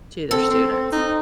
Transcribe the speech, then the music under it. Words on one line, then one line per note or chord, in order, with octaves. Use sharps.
to their students.
C4 A4
C4
C4
D#4